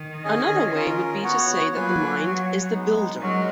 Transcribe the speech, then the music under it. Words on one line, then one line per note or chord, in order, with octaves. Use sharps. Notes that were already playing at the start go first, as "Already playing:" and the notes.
Another way would be to say that the mind is the builder.
Already playing: D#3
C#4 G#4 D#5 G#5
C#4 F4 A#4
B3 F#4 C#5 F#5
F#3 A#3 F4 B4 F5 G#5
F#4 C#5 F#5
G#3 B3 D#4
F#3 G#3 C#4 F#4 A#4